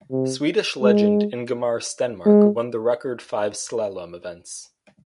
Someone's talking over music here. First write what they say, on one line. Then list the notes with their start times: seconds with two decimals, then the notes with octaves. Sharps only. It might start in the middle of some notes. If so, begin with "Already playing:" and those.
Swedish legend Ingemar Stenmark won the record five slalom events.
0.11 C3
0.82 G#3
2.26 G#3